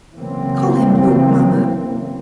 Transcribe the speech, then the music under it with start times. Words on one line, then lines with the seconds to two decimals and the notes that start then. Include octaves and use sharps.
"Call him Luke, mamma."
0.16 C#3 E3 F#3 A#3 C4